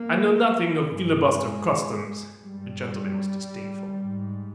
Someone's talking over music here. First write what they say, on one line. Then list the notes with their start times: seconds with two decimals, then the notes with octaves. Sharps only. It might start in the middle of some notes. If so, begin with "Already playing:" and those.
"I know nothing of filibuster customs." The gentleman was disdainful.
Already playing: A#3
0.84 G2 G#3
2.41 G2 G3
3.99 G#2